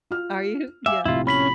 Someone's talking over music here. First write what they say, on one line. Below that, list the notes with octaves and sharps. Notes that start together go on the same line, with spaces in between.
Are you? Yeah.
F4 F6
E5 F5 G#5 D6
A#1 A2 C3 E4 F4
C#4 B5 B6 F#7